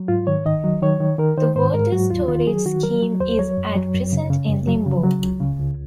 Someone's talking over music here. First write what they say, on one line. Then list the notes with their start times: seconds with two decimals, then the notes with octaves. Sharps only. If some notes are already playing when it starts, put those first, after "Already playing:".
The water storage scheme is at present in limbo.
Already playing: F#3
0.08 G#2 F4
0.27 D#3 C#5
0.46 D#3 D#5
0.64 F#3
0.82 D#3 C#5
1.00 D#3
1.18 D#3 A#4
1.37 D#3 C5
1.56 G#2 C5
1.74 G#2 A#4
1.92 F#3 F#4
2.11 D#2 F4
2.28 D#3 F4
2.47 F#3 G#4
2.66 D#3 F#4
2.83 F#3 A#4
3.02 F#3
3.20 D#2 C5
3.39 F#3 C#5
3.58 F#2
3.76 F#3
3.95 F#2
4.13 C#3
4.30 C#3
4.49 F#2
4.67 F#3
4.86 C#3
5.04 F#3
5.23 C#2
5.40 C#3
5.59 C#2